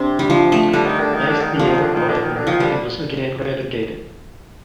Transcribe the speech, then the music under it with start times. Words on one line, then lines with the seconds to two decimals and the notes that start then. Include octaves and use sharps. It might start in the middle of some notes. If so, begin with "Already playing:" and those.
Next year, however, it was again relegated.
Already playing: C3 C4 D4
0.19 G3
0.30 F3
0.52 A3
0.73 D3 G3
0.86 D#3
1.00 D3
1.14 D#3
1.27 D3
1.41 D#3
1.55 D3 F3
1.68 D#3
1.82 D3
1.95 D#3
2.09 D3
2.22 D#3
2.36 D3
2.47 D#3 F3
2.60 D3 G3